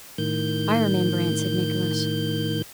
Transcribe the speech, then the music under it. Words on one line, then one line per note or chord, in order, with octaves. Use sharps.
"I remember," answered Nicholas.
A2 D#3 G6